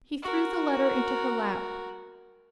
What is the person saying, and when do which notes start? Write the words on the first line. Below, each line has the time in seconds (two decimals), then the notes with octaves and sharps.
He threw the letter into her lap.
0.23 F#4 A#4